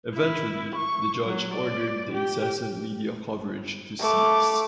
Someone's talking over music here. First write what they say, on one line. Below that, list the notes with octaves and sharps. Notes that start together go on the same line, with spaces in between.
Eventually, the judge ordered the incessant media coverage to cease.
E4
C#6
F#3
D5
G4
A3 D6